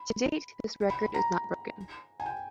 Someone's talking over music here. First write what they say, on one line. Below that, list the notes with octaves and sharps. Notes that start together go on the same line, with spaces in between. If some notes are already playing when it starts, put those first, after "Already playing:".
To date, this record is not broken.
Already playing: B5
B5
B5
A#5
G#5
G5